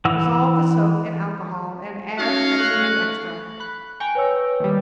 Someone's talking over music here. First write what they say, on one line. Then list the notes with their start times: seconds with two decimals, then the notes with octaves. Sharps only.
Dissolve the soap in alcohol and add honey and extract.
0.05 E3 F#5 E6
2.18 C#4 D#4 F#4 C#5 D#5 F5
2.59 A3 C#6 F#6
3.60 B5 F#6
4.00 G5 G#5 A#5 C#6
4.15 B4 C#5 E6
4.60 D#2 G3